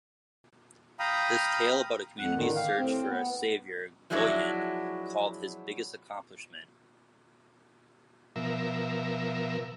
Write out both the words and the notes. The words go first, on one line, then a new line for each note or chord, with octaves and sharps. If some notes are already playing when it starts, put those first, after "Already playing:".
This tale about a community's search for a savior Goyen called his "biggest accomplishment".
F5 G5 A#5 B5 D#6
F2 F#5
A2 D3 D#3
G4 F5
A2 C4
B3
F3 F#3 G#3 D4 E4 F#4
B2 F3 A#4 E5